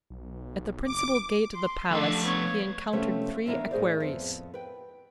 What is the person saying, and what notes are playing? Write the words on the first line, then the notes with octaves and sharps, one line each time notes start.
At the principal gate of the palace he encountered three equerries.
B1
F#1 D6
C6
F3 A3 D4 A4 F5
B3 C#5
C3 F3 A3 B3 C#4
D#2 E3 A#3 B3 D4
A2 G#4 C5 D5
F2 B3
B4 G5